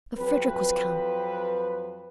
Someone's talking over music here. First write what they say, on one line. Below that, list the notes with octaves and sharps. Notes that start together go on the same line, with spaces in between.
But Frederick was come!
F2 F#3 C4 B4